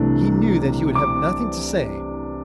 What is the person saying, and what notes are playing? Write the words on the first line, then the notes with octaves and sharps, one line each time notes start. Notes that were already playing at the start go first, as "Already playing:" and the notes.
He knew that he would have nothing to say.
Already playing: C2 C3 E3 A3 D4
D6